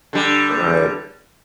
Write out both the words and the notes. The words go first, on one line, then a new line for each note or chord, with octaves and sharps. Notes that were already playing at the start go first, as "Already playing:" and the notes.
All right.
D3 G3